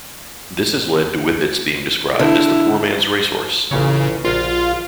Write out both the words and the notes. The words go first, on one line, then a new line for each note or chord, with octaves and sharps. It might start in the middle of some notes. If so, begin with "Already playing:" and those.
This has led to Whippets being described as the poor man's racehorse.
D3 E4
A1 A#2 C#3 C#5
A#1 F4 F#4 A#5